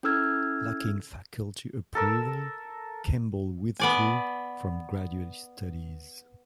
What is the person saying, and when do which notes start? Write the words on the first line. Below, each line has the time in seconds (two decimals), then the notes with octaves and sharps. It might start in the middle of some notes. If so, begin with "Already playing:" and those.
Lacking faculty approval, Campbell withdrew from graduate studies.
0.03 C#4 E4 A4 E6 F6 G#6
1.95 A4 A#4 E6
3.80 B3 D5 G#5